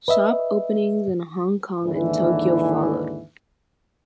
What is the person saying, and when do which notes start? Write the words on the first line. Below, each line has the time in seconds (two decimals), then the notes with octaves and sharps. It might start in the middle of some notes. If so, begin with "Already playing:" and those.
Shop openings in Hong Kong and Tokyo followed.
0.08 B4 D#5 E5
1.84 D#2 G#2 D3 E3